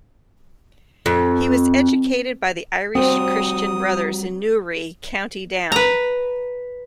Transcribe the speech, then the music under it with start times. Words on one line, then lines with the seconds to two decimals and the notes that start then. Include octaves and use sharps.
He was educated by the Irish Christian Brothers in Newry, County Down.
1.06 F2
2.95 G3 C4 F#4 D#6
5.72 B4 A#5